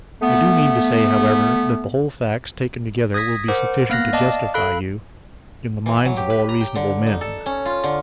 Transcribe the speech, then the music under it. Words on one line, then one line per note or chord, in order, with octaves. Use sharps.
I do mean to say, however, that the whole facts, taken together, will be sufficient to justify you, in the minds of all reasonable men.
A3 B3
D#6 G#6 A#6 B6
A#4 C5 F#5 D6
A#3 B3 F5 F6 F#6 A#6
D5 D#5 F5 A5 D6
A4 F5 B5 F#6
E3
F#3
G4
B4
A#5
G5
D3
D#4
A4
C#4
F4
D3